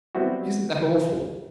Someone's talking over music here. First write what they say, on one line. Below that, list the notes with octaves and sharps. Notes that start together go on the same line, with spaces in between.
Isn't that awful!
F#3 G3 B3 C4 E4 F#4